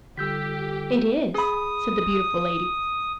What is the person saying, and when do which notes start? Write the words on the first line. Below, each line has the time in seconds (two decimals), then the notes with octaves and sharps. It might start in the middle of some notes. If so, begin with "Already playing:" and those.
"It is," said the beautiful lady.
0.18 D3 G3 F4 G4 A4 E6 G6 B6
1.34 G#4 B5 D#6